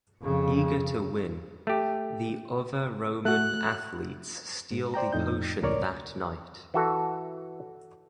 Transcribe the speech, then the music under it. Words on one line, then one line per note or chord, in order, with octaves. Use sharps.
Eager to win, the other Roman athletes steal the potion that night.
F2 C#3
A3 G4
A3 F#4 F#6
G#2
C5 D5 G5 A#5
F2 A2 D#4 G6
C#2 A2 A#4 C#5 D5 D6
E3 F#4 A4